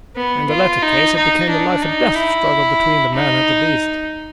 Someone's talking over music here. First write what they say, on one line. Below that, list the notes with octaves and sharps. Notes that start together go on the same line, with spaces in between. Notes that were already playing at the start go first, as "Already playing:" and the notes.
In the latter case it became a life and death struggle between the man and the beast.
B3
F4
D#4
D#4
D4
D#4
E4
D#4